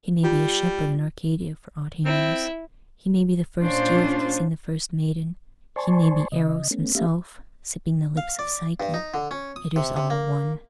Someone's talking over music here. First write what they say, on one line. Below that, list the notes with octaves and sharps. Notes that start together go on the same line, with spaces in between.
He may be a shepherd in Arcadia for aught he knows, he may be the first youth kissing the first maiden, he may be Eros himself, sipping the lips of Psyche--it is all one.
G3 F4
C4 E4
A#2 C#4 D4 F4 C5
C5 D5 G#5 A5 C6 C#6
C#3 D#5
A3 B3 C#4
A3 A#3 C#4 G4 E5 F5
F5
D5
G2
D#4
D3
C#4
D#6
C3
C3
A#3